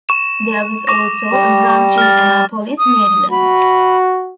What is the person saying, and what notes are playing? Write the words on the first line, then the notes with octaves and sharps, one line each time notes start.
There was also a branch in Annapolis, Maryland.
C#6 E7
C#6 D6 A#6
G3
F6 A6
D#6
F#4 B5